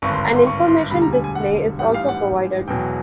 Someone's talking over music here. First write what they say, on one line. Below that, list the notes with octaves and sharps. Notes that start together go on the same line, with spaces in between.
An information display is also provided.
G#1 G2 D3 C#6
C6
A#5
C6
C#6
C6
E1 D2 D3 G3 B5
A#5
G#5
G#5
F#5
A1 G#2 E3 G3 F#5
F5
F#5
E1 E2 B2 F#3 G5